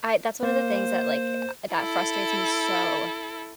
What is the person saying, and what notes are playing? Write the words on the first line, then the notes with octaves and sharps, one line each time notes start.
I that's one of the things that, like, uh, that frustrates me so
A#3 C5
E4 A4